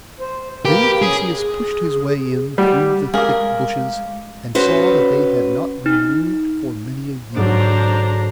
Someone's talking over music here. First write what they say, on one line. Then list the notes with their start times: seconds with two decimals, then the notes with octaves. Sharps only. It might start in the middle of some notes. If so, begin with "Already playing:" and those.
Then Theseus pushed his way in through the thick bushes, and saw that they had not been moved for many a year.
0.20 C5
0.65 A#3 G4 A#4 B4
1.02 D2 C#4 G#4
1.35 G#4
2.58 G3 F#5
3.14 G#3 G#4 A#4 F5 D6
4.55 C#4 F#4 B4 C5
5.86 D#4
7.36 G#2 D3 F#3 D4 C5 D5 A#5